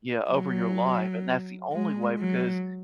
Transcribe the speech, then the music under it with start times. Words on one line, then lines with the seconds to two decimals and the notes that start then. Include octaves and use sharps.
yeah, over your life, and that's the only way because,
0.31 F#3
1.72 G#3
2.19 F#3